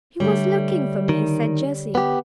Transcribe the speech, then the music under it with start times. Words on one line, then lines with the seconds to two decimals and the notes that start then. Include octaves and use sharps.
"He was looking for me," said Jessie.
0.20 D3 G3 A3 C#5
1.09 D#3
1.95 B3 G4